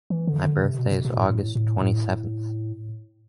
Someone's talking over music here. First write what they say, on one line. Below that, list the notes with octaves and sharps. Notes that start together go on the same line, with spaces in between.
My birthday is August twenty-seventh.
E3
D3
D3
C3
B2
B2
B2
A2
A2
A2
A2